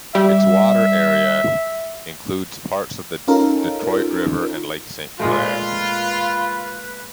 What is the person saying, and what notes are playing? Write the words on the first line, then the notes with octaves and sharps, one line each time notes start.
Its water area includes parts of the Detroit River and Lake Saint Clair.
G3 E5
C#4 D#4 F4 A4 A#4
A#2 G#3 A3 F4 B4